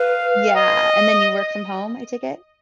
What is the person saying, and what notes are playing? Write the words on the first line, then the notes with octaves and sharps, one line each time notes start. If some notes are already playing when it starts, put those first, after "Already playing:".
Yeah, and then you work from home, I take it?
Already playing: B4 F5
D#5